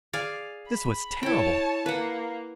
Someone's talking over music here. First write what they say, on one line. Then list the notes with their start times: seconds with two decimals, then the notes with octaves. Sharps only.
This was terrible!
0.13 G#4 D5 F5
0.68 B5
1.23 E4 C#5 G5 A5
1.86 A#3 B4 F#5